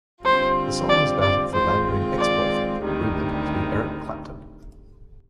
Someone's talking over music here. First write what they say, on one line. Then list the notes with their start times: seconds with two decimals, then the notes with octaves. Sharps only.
The song is about a philandering ex-boyfriend, rumoured to be Eric Clapton.
0.24 D3 G3 C4 F4 C5
0.89 D5
1.22 D5
1.53 D#3 G#3 C4 F4 C5
2.19 D5
2.83 D2 C3 D#3 G3